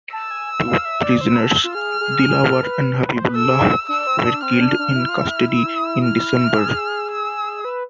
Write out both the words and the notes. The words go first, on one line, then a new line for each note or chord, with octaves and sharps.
Two prisoners, Dilawar and Habibullah, were killed in custody in December.
A5 E6
G#5
F5
E5
D5
C5 E6
B4
A4
F4
G#4 F6
G#4
G#4
A4
B4
C5
B4
A4 E6
G#4
D4 E6
C4
D4
C4 F6
D4
D4
E4
F4
E4
E6
F6
G#4
E6
B4